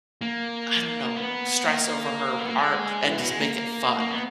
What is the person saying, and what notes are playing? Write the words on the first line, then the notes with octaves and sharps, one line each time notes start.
I don't know, stress over her art and just make it fun.
A#3
B3
A#3
B3
A#3
G#3
E3
B2
G#3
A#3
A#3
B3